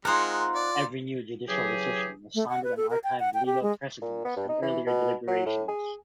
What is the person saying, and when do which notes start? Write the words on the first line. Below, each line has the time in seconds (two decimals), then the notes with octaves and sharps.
Every new judicial decision was founded on archived legal precedents and earlier deliberations.
0.05 G#3 C4 D#4 F4 A#4 F#5
0.55 D5
1.48 C#3 E3 F#3 G4 G#4
2.35 A3
2.49 F#5
2.64 B4
2.77 A4
2.90 A#4
3.04 G5
3.20 F#5
3.34 G5
3.46 G4
3.63 G#3
4.02 A#2
4.25 B3
4.36 G2
4.49 D#4
4.62 E3
4.87 B2
5.27 F#3
5.46 A2
5.68 G#4